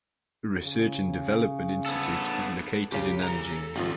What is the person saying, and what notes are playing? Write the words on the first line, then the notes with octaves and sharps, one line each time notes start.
A research and development institute is located in Nanjing.
C#3
B3 A4
C#2 C#3 G4
A4 A#5
G#1 F2 G3 F4